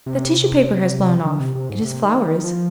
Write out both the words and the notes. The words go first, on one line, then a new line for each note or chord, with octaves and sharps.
"The tissue paper has blown off: it is flowers."
C3
D3
C3
C3
G#2
D3
C3
D#3
D#3
F3